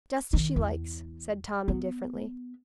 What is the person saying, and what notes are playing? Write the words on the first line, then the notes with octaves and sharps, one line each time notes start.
"Just as she likes," said Tom indifferently.
D#3
E2
B3